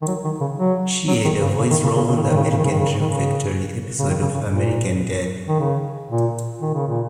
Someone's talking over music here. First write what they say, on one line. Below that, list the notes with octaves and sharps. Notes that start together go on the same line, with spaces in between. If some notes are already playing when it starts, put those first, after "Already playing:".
She had a voice role on the "American Dream Factory" episode of "American Dad!".
D#3
F#3
D#3
C#3
F#3
F#3
D#3
C#3
C#3
D#3
C#3
C#3
C#3
D#3
C#3
D#3
C#3
D#3
C#3
D#3
C#3
D#3
C#3
D#3
C#3
C#3
D#3
C#3
C#3
A#2
D#3
C#3
A#2
D#3
C#3
A#2